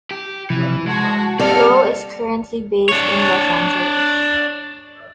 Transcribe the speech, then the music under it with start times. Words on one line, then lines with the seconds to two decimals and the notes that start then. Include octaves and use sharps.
Low is currently based in Los Angeles.
0.11 G4
0.50 C3 E3 F3
0.87 G#3 F#4 A5
1.39 G3 A#3 C4 A4 F#5 F6
2.89 D4 C#5